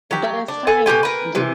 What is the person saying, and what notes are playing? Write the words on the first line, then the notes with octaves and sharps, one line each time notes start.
but as time gets
F#3 G4
D4
A4 G#5
B2 F4 G4 G#5
A#4 B4
C3 E3